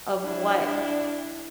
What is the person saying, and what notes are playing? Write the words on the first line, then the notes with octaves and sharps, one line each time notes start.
of what
D4 E4